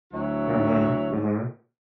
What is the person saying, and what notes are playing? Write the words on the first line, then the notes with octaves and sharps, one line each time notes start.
Mhm, mhm.
D2 F#3 E4 F#4 C#5